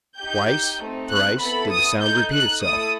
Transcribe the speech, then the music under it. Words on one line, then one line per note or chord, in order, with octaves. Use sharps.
Twice, thrice did the sound repeat itself.
D#4 G4 G6
A3 C4 D#4
F#6
B3 E4 A4 B5
D#6
D#4 A4 G6
F#6
A3 E4 A4 D#6